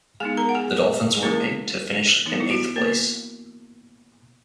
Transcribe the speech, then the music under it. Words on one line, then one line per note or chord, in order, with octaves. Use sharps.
The Dolphins were picked to finish in eighth place.
G#3 B3 D#4 G#4 G#5
A#4 A#5
F#5
G#4 G#5
G#4
E3 G#3 A#3 C#4 E4 A#4
E3 B3 D#4
E4
F#4
A#3 A#4